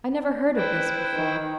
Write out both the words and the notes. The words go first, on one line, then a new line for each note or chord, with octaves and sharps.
"I never heard of this before."
E4 B4 C5 G5
D#3